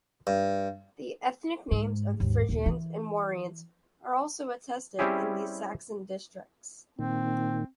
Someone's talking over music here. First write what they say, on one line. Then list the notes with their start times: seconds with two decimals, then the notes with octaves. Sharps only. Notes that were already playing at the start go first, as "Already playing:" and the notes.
The ethnic names of Frisians and Warines are also attested in these Saxon districts.
0.27 G2
1.71 G#2
2.20 D#2 G#2
2.49 D#2 A#2
2.66 E3
4.99 G3 C4 C#4 E4 G4 G#4
6.99 A#2 D#3 C4